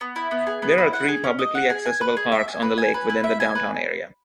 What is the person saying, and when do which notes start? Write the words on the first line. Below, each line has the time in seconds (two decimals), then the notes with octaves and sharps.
There are three publicly accessible parks on the lake within the downtown area.
0.01 B3
0.16 E4
0.31 B3
0.47 G#4
0.62 B3
0.78 E4
0.93 F#5
1.08 G#4
1.24 C#4
1.39 D#5
1.55 F#5
1.70 G#4
1.86 G#5
2.01 B4
2.17 G#4
2.32 E5
2.48 G#5
2.62 B4
2.78 G#5
2.94 B4
3.10 E4
3.24 E5
3.40 G#5
3.55 B4